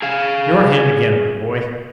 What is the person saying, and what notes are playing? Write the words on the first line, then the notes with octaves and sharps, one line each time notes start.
Your hand, again my boy!
G#4 F5